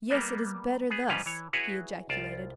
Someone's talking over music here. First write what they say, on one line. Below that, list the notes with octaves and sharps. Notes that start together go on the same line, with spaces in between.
"Yes, it is better thus," he ejaculated.
G3 A#3 B3
B3 G#4
G#2 F3 G3 C#4 B4 F5
E3 C#5
E4 F#4 G#4 B4 C#5
C2 F4 D5 A5